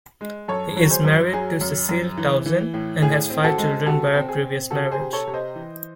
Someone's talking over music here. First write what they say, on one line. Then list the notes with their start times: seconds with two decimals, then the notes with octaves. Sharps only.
He is married to Cecile Tauzin and has five children by a previous marriage.
0.21 G#3
0.48 F#2 A4 C#5
0.76 F#3
0.90 G#4 C5
1.05 F#2
1.33 F#3 G#4
1.61 F#2
1.89 F#2
2.17 E3
2.46 E3
2.74 A2
3.02 A2 G#4
3.30 C4
3.44 F#4 A4
3.58 G#3
3.86 C3 F#4 A4
4.14 C4
4.29 G#4
4.43 C4
4.71 C3 F#4 A4
4.92 G#4 C5
4.99 C3
5.13 A4 C#5
5.27 C3
5.34 C5 D#5
5.55 E3